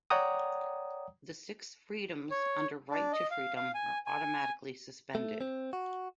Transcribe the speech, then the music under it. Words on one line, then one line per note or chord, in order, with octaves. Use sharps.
The six freedoms under Right to Freedom are automatically suspended.
C#5 D5 F#5 G5 A#5 D#6
C#5
D4
D#5
F5
F5
G#5
G#5
A3
C4
F#4